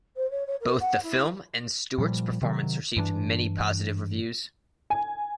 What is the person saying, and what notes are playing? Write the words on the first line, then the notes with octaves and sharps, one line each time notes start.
Both the film and Stewart's performance received many positive reviews.
C5
C#5
C#5
A#4
F#5
E4
A#2 F3 G3
C3 D#3 F#3
G2 E3 D4
G#5